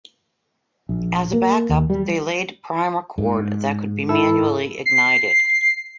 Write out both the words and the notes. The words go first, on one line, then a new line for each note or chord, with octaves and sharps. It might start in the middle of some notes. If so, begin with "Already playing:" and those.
As a backup, they laid primer cord that could be manually ignited.
A#1
A#3
D#2
G3
G#2
E4 A4
C7